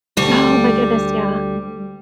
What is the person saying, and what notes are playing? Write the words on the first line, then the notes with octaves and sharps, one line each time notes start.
Oh my goodness, yeah.
D2 G3